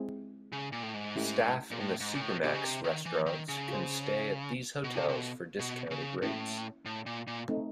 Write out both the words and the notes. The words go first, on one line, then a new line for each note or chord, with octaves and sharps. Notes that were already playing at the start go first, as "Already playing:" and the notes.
Staff in the Supermacs restaurants can stay at these hotels for discounted rates.
Already playing: G#3 C4 E4 G#4
C#3
A#2
A2
G#2
A3 C#4 E4 G4
A#2
A2
G#2
A#2
A2
A#2 D4 G4 C5 D#5
C#3
C3
D#3
E3
D#3
C#3
F4 G#4 C5
B2
C3 F4 A4 C#5 F5
C3
B2
B2
C#3
A2 A#3 C#4 E4
A2
A#2
A#2
A3 C4 D#4